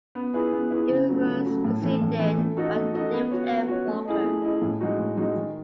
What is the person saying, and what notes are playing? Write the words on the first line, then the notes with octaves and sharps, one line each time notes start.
He was preceded by David M. Walker.
B3
E4 G#4 B4
B3
E4 G#4 B4
C#3
F#3 A3
C#3
F#3 A3
A2
E3 A3 E4
A2
E3 A3 E4
A3
D#4 F#4 A4 D#5
A3
D#4 F#4 A4 D#5
B3
F#4 C#5
B3
F#4 C#5
A3
E4 G#4 D#5
A3
E4 G#4 D#5
A2
G#3 D#4 F#4
A2
G#3 D#4 F#4
D#3